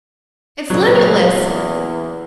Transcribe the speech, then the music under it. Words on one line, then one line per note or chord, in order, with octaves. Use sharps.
It's limitless.
G#1 A#2 C#3 F#3
E2